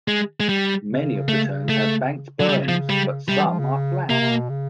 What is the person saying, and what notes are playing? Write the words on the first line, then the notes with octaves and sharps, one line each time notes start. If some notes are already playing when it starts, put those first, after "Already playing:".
Many of the turns have banked berms, but some are flat.
G#3
G#3
G3
C#3
A3
A3
F#3
C#3 G3
F3
G3
C3 G3
E3
F3
C#3
C3 A#3
C3
B2
C#3